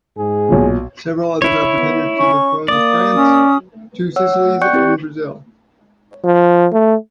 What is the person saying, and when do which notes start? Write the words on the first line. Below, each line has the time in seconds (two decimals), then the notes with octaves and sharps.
Several others are pretenders to the thrones of France, Two Sicilies, and Brazil.
0.18 G#2 G#4
0.49 B1 A#2
1.42 E4 C#5
1.77 B3
2.18 C#4 C#6
2.68 A#3 D5 D#6
3.15 C#4
4.16 C#5 F#5 E6
4.33 F#5
4.62 D5 G5 C#6 F#6 G6 C#7
4.73 C4 E4 G4
6.24 F3
6.73 A3